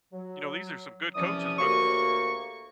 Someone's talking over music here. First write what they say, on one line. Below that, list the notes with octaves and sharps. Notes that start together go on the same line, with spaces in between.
You know, these are some good coaches, but
F#3
C2 E3 F3 C#4 D5 D#6
D2 A#3 F#4 G4 C#5 C#6